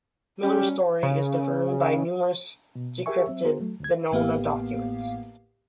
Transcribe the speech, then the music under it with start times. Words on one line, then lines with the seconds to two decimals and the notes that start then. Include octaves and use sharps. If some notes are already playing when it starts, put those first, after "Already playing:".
Miller's story is confirmed by numerous decrypted Venona documents.
0.43 F#3 G3 C#4 G4
1.03 C#3
2.75 B2
3.06 G4 G#4 A#4 E5 G#5 C#6
3.28 F#3 C4 E5
3.45 B3 F#4 G#4 A#4 C5
3.60 F#3 A3
3.80 D2 G#6
4.11 A1 A2 A#3 B3 G4 F5